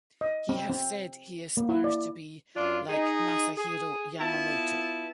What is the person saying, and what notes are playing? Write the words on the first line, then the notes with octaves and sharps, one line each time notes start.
He has said he aspires to be like Masahiro Yamamoto.
D#5
C4
C4
A#3
E4
D5
F#2 D4 F4
D#4 G#4
G#4
B3 E4 F4 A5